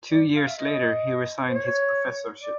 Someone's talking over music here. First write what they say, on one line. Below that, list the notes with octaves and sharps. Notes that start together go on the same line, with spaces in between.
Two years later he resigned his professorship.
D5
F5
E5
D#5
C5
C#5
D5